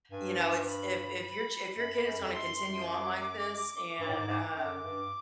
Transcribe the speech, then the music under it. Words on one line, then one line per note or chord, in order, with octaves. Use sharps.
you know, it's if if your ch if your kid is gonna continue on like this and, um
G2 G#5
B5
B5
F#2 B5
F#2
F2
F#2 C6
F#2
D6
G2 D6
A2
G#2
G#2
F#2 D6
G2